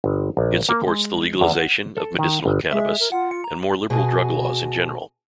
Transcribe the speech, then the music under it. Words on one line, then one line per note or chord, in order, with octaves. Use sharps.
It supports the legalization of medicinal cannabis, and more liberal drug laws in general.
G1
A#1
A#3
G#3
E2
F#5
A4
D#3
G1
G#3 E5
A#4
F4 F#5
C#7
A#5
B2 F#4 G#4